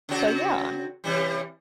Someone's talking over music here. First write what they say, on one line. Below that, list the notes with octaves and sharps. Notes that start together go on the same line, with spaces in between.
so yeah, I'm
C#3 C4 F#4
C3 E3 G3